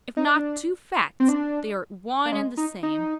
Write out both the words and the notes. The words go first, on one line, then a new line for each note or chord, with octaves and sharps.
If not two facts, they are one and the same.
D#4
D4
C4
D4
A#3
G#3
D#4
D#4